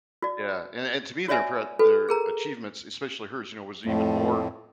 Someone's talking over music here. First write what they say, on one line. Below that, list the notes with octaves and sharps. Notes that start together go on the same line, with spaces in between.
Yeah. And and to me, their impre their achievements, especially hers, you know, was even more
F#4 D5
F#4 C#5 D5 E5 G#5
F#4 A4 B4
G#4 A#4 A#5
F2 A2 A3